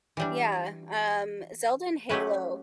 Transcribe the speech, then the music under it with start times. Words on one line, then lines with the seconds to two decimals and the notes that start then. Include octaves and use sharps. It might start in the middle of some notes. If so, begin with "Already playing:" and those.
Yeah, um, Zelda and Halo
0.17 E3 G3 D4
2.09 F#3 A3 C#4 G4 B4